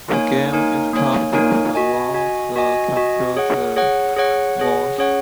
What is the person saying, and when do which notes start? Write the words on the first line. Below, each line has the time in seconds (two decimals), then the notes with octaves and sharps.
The game is controlled via the computer's mouse.
0.13 A#3 D#4 A#4 C#5 G#5
0.53 A#3 D#4 A#4 C#5 G#5
0.93 A#3 D#4 A#4 C#5 G#5
1.34 A#3 D#4 A#4 C#5 G#5
1.75 F#4 D#5 G#5
2.14 F#4 D#5 G#5
2.56 F#4 D#5 G#5
2.96 F#4 D#5 G#5
3.36 G#4 C#5 F#5
3.76 G#4 C#5 F#5
4.17 G#4 C#5 F#5
4.57 G#4 C#5 F#5
4.98 C#4 G#4 C#5 F#5